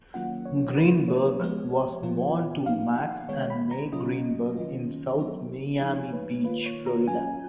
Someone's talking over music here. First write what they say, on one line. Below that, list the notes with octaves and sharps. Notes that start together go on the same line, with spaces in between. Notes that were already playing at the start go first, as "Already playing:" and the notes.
Greenberg was born to Max and Mae Greenberg in South Miami Beach, Florida.
D#3 F#3 A#3 C#4 F4 F#5
C#5
C#3 F#3 A#3 B4
C#5
F3 G#3 B3
A#2 F3 B3 F4
F3 B3 D#4 F5
F#5
D#3 G#3 B3 C#5
B5
A#5
C#3 F#3 C#4 F4 D#5
D#3 F#3 C#4 F4
F#3 B3 D#4
F3 G#3 D#4 C#5
B4
D#3 A#3 F4 B4
C#5
A#5
F#3 C#4 F4 G#5